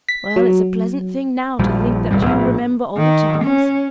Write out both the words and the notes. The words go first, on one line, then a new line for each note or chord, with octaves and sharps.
Well, it's a pleasant thing now to think that you remember old times.
B6
F#3
A#1 F3 G3
D#1 G2 B2 G3
A#1 A2
D#3
C#4